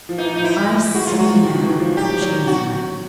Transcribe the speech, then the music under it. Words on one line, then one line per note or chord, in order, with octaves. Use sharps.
"I see now," she murmured.
F3
E3 D#4
F3 D#4
E3 E4
G#3 F#4
F4
F#3
F#4
F3
D#3
E3
F3
F#3 G4
F#3
F#4